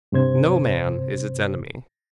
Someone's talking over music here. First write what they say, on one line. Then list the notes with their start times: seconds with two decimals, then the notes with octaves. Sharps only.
No man is its enemy.
0.12 G2 C3 C5 G#6